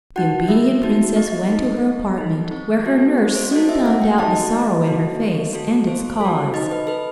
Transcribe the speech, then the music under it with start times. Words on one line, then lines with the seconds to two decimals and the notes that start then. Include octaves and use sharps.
The obedient princess went to her apartment, where her nurse soon found out the sorrow in her face, and its cause.
0.16 D#4 F#4 F#5
0.49 A3 E5
0.83 D#4 F#4
1.16 B3 D#5
1.49 D#4 A4
1.83 B3
2.18 D#4 A4
2.51 C4
2.85 F#4 A4
3.18 C4
3.35 C5
3.51 F#4 A4 D#5
3.69 E5
3.85 A3 F#5
4.02 G5
4.18 D#4 F#4 A4 A5
4.36 D#5
4.53 A3
4.87 D#4 F#4 A4
5.20 B3
5.53 F#4 A4
5.87 B3 C5
6.21 F#4 A4
6.54 D#4 D#5
6.71 B4
6.87 A4 B4